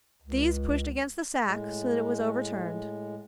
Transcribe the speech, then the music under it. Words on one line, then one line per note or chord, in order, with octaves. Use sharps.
These pushed against the sack so that it was overturned.
C#2
A2 G#3